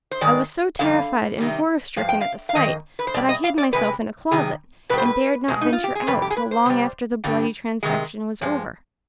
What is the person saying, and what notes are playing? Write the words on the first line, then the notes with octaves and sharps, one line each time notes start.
I was so terrified and horror-stricken at the sight, that I hid myself in a closet, and dared not venture out till long after the bloody transaction was over.
C5
G#2 D#3 G#3 D5
F2 D3 G3 F5
C3 D#3 G3
G2 F3 F5
G5
F5
F5
F2 D#3 D#5
B4
C5
B2 G3 D5
D#5
F5
D5
C3 F3 G#3 B4
C3 D#3 G3 G#4
B2 G3 B4 C5
B4
B2 G#3
D#4
F4
G4
G#4
F2 C3 G3 B4
G4
G#4
B4
C5
C3 G3
G2 D3 G3
C3 D#3 G#3
G2 F3 G#3